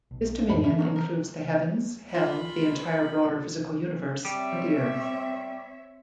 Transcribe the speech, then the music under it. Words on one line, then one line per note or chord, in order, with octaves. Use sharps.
This Dominion includes the Heavens, Hell, the entire broader physical universe, and the Earth.
B1
F#2 A2 B5
E3 C4 E5
D#3 F#3 B3
A#4
F4 B5
G3 C4 C#5 E5